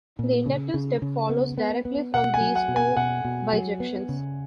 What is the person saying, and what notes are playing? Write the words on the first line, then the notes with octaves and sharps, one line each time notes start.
The inductive step follows directly from these two bijections.
A#2
C#3
C#3
C#3
B3
B3
B3
B2 F#5
G#5
F#3
F#5
B2
G#5
B2 F#5
B2
F#3
B3
C#3